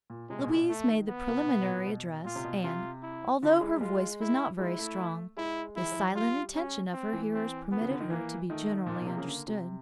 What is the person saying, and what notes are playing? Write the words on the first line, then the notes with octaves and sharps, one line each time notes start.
Louise made the preliminary address, and, although her voice was not very strong, the silent attention of her hearers permitted her to be generally understood.
A#2
C3 G#3
B2
A#2
B2
A3
D#3
B3
C3
B2
B2
A#2
B2
B2
A#2 F4
C3
B2
C3 F4
E4
D3 E4
G#3
G3
G#3 F4
E4
G#3 E4
A3
G#3 E4
E3 E4
F3
F#3
G3 F4
C#4
C4
E3
C4
B3
C#3
D3
D#3
E3 A#3
D#3 A3
A#2 A#3
B2
C3
C#3
D3
C3